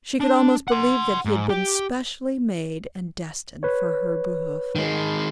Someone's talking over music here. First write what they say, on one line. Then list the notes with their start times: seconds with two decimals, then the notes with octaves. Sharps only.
She could almost believe that he had been specially made and destined for her behoof.
0.20 D4
0.68 F#5 C6
1.25 G#2
1.50 G4
3.63 B4 C#5
4.76 D#3 G#3